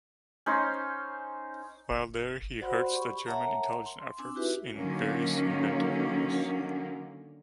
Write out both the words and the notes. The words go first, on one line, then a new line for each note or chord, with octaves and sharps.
While there, he hurts the German intelligence efforts in various inventive ways.
C#4 D#4 C5 C6
G1
F#4 C5 D5 F#5 B5 C6
G4 B5 C#6
A#4 C#5 E5 F#5 A5 A#5
C6
C4 D4 G#5 D6 E6
D#4 E4 F#4 G4 B4 E5
D3 D#3 F#3 A#3 C#4